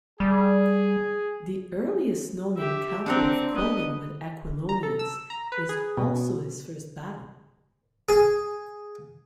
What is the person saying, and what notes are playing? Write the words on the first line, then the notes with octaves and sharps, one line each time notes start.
The earliest known encounter of Conan with Aquilonians is also his first battle.
G3 G#4
G4 E5
C4 D4 F#5 A#5
B3 D#5
A#5
A4
E6
A#5
B4
G#4
B2
G#4